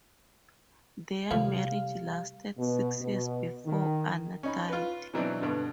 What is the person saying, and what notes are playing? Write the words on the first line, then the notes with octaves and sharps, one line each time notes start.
Their marriage lasted six years before Anna died.
D#2 A2 C3 F3 G3 F5
B2
B2
D#3
C#4 D#4 B5
F4 B4
B2 E3 F#3 C4 D4 D#4
G2 B2 D3